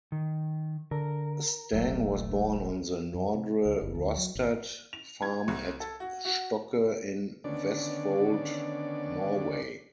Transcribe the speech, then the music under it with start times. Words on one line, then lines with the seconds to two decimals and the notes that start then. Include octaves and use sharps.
Stang was born on the Nordre Rostad farm at Stokke in Vestfold, Norway.
0.12 D#3
0.91 D3 A#4
1.73 D#1 A#1 F#3 A3
3.14 F#2
3.34 C3
3.65 C#2
3.81 F#1
3.95 D2
4.17 F#3
4.35 G#1
4.93 F7
5.22 G#6
5.48 C2
5.80 A4
6.00 F#4
6.25 F#4
7.44 D3 D#3 B3 C#4 D4 D5